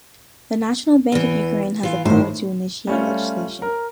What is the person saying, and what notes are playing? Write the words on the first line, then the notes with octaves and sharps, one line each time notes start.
The National Bank of Ukraine has the power to initiate legislation.
E2 E3
E3 F4
A2 D#3 C5
G3 A3 C#4 F4
A#4